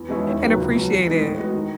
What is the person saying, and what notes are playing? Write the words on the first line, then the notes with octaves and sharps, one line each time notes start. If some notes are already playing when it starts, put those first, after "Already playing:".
and appreciate it.
Already playing: E2
B2 G#3 C#4 E4
D#2
D#3 F#3 B3 E4
C#2
B2 F#3
E3
G#3 B3 D#4
A2
G#3 B3 F#4
D#3